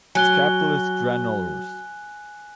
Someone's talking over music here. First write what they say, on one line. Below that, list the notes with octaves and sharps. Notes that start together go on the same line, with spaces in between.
Its capital is Granollers.
F#3 G#5 F#6 G7